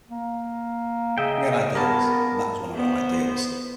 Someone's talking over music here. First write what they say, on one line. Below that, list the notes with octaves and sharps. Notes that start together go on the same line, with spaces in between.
We had ideals, and that was one of our ideals.
A#3
C#3 D#5 E5 G5
A#3 B3 C#4 A#4 A5
B3 C5